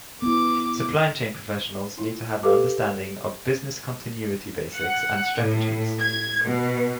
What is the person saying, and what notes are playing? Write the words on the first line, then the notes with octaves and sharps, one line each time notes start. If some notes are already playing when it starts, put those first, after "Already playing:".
Supply chain professionals need to have an understanding of business continuity basics and strategies.
B3 E4 D6
E4 F4
G4 A4 B4 F5
F#5
A2
G#6
B2